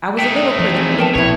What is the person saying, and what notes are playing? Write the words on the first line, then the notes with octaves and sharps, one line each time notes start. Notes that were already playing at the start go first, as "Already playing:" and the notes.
I was a little critical,
A3 D#4 G5
E3 F3
C4 G#4
B3 A#4 G5 A5
A#1 B2 B3 E4 C#5